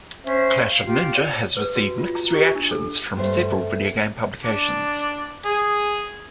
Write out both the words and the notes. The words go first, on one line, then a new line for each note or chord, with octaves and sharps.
"Clash of Ninja" has received mixed reactions from several video game publications.
C#4 C5 E5
F5
F4 G4
C#5 D5
B4
F#4
F4
A#5
G4
D4
A4
G2 A3 C5 E5
D4
G#4